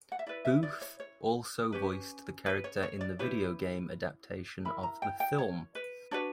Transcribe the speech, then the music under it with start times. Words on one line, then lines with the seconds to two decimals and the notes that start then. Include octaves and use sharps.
Booth also voiced the character in the video game adaptation of the film.
0.12 F#5
0.19 E5
0.27 E4 B4 D5
0.45 E5
0.63 D5
0.81 C#5
1.00 C#5
1.72 C#4 G4 B4
2.46 B4
2.64 C#5
2.83 C#5
3.01 D5
3.19 E4 G4 B4 C#5
4.65 E4 A#4 B5
4.83 A#5
5.02 G5
5.20 G5
5.38 C#5
5.75 B4
6.11 D4 F#4 B4 C#5